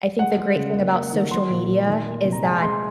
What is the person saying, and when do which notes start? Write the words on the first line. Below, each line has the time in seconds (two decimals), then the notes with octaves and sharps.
I think the great thing about social media is that
0.19 G#3 F#5
0.38 G#3
0.56 C#3
0.76 A#3
0.94 A#3
1.13 D#3
1.31 F#3 C6
1.50 A#2
1.68 A#2
1.87 D#3
2.06 A#3
2.25 C3
2.32 A#5
2.43 G#3 G#5
2.62 G#3 C6